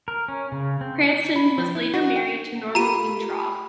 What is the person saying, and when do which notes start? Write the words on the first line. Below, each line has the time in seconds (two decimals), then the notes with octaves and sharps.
Cranston was later married to Norma Weintraub.
0.08 A#4
0.28 C#4
0.52 C#3
0.81 C4
1.36 B5
1.58 F3
1.75 E4
1.94 F#4
2.16 G5
2.75 F4 G4 A#5 B5 D#7